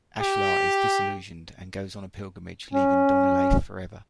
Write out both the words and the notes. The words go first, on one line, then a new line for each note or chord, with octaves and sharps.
Ashlar is disillusioned, and goes on a pilgrimage, leaving Donnelaith forever.
G4
C#4